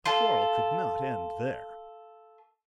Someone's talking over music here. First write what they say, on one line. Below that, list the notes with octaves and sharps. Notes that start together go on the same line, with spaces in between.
The quarrel could not end there.
F4 A4